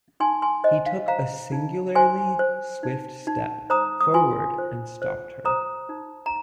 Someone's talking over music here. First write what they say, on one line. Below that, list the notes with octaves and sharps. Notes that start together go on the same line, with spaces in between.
He took a singularly swift step forward and stopped her.
D#4 G#5 C6
G#5 C6
C5 D#5
F5
C5 F5 A#5
D#4
C5 G#5 C6
C5
D#4
D#4
C5 A#5 D#6
D#6
F4 G#5 C6
C5
C5
C5 A#5 D#6
D#4
A#5